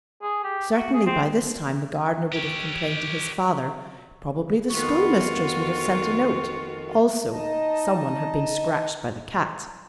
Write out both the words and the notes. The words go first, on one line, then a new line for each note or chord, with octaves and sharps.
Certainly by this time the gardener would have complained to his father, probably the schoolmistress would have sent a note. Also--someone had been scratched by the cat.
G#4
G4
F#4
G#4
C4
G4 C#5
F2 D#3 B3 F4 F#4 C#6
D#4 D#5 A5